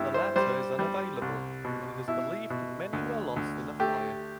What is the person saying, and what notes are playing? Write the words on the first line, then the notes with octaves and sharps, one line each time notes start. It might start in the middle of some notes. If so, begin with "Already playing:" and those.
The latter is unavailable, and it is believed many were lost in a fire.
Already playing: G2 E4 G4
C5
G3 C5
G3
C2
B2
B2 E4
B2
D2
D2
A3 G4